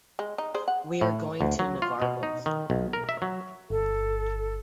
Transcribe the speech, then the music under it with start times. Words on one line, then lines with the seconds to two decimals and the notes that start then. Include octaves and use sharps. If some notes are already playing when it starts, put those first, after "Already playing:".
We’re going to Navarcles.
0.19 G#3
0.38 D#4
0.54 G#4 C5 D5
0.68 F#5
1.01 A2
1.41 D2
1.59 F#3
1.82 F4
2.02 B2
2.23 D#4
2.46 D#3
2.70 B1
2.93 A#4
3.09 E5
3.22 F#3
3.70 G1 A4